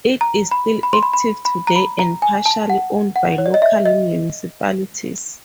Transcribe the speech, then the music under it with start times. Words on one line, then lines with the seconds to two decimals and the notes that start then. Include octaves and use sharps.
It is still active today and partially owned by local municipalities.
0.21 A#5
0.51 B5
0.83 B5
0.93 C6
1.03 B5
1.13 B5
1.45 B5
1.67 A#5
1.76 B5
1.99 A#5
2.22 G#5
2.46 A5
2.70 F#5
3.16 F#5
3.38 C#5
3.46 D5
3.54 D#5
3.62 E5
3.85 D#5